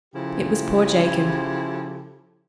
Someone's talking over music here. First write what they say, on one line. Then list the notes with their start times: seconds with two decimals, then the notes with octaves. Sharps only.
It was poor Jacob.
0.14 C#3 F3 E4 G4 A4